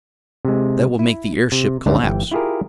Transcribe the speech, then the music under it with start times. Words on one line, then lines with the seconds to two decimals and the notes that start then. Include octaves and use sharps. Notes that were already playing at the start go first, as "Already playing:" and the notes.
That will make the airship collapse.
0.45 C3 G#3
0.99 E4
1.52 C3
1.86 D2 G#2 D3 G#3 A3 C#4
2.03 G1 E3 G5
2.31 E4 F4 G4 G#4 A#4